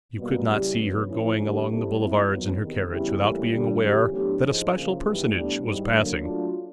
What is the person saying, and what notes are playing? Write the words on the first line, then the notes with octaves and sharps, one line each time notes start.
You could not see her going along the boulevards in her carriage without being aware that a special personage was passing.
B2 G3 A#3
C#3 E3 G3
C#3 F#3 B3
F3 A3 C#4 E4
G2 D3 G3 A#3
G3 C4 E4 A4
A#2 G3 C4 E4
D#3 F#3 B3
E2 C3 D#3
C#3 E3 G3 B3 E4
A2 E3 G3 A#3 C#4
G2 D3 G3
F2 C#3 E3 G3
A2 F#3 B3 D4 G4
G#2 F3 G#3
C#3 F3 A#3 C#4 F4
G#2 E3 G3 B3 E4
A2 E3 G3 B3 D4
G#2 E3 G3
D3 F#3 A#3
F#3 A3 D4 F4